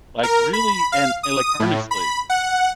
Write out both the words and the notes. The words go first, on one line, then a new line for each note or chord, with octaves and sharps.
Like, really, and and like earnestly,
A#4
B5
F5
D#6
A2
B5
F#5